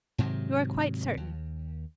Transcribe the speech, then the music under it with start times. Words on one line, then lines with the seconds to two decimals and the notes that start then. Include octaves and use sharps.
'You are quite certain?
0.18 G#2 C3 D#3 F#3
1.17 D#2